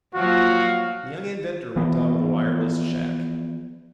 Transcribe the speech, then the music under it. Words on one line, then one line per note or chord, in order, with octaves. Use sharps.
The young inventor looked out of the wireless shack.
F3 F#3 A#3 F#4 F5
E3 F3 B3